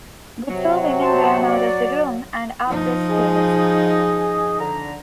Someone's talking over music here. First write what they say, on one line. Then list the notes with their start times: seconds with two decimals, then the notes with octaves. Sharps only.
The two women ran out of the room and up the stairs.
0.50 C3 F#3
1.00 C5 A5 C6
1.46 D5
2.67 F3 D#4
3.08 G#4 D#5
4.59 D3 A#5